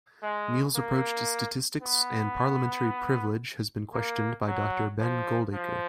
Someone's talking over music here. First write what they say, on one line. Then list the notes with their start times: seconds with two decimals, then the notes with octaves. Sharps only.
Neill's approach to statistics and parliamentary privilege has been questioned by Doctor Ben Goldacre.
0.23 G#3
0.75 A#3
1.82 B3
3.94 A#3
4.47 F#3
5.01 F3
5.54 F3